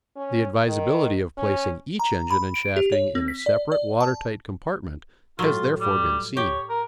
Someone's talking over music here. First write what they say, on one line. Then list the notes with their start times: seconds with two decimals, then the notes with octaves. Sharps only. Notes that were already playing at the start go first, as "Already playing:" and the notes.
The advisability of placing each engine and shafting in a separate water-tight compartment has therefore been seen.
0.16 C#4
0.68 D#3
1.37 C#4
1.99 A#5
2.30 B5
2.54 D7
2.76 G4
2.92 C#5
3.15 C4
3.28 B6
3.46 D5
3.72 D5
4.00 A5
5.39 A2 F#3 F4
5.81 G3
6.37 G4 C#5
6.69 A#4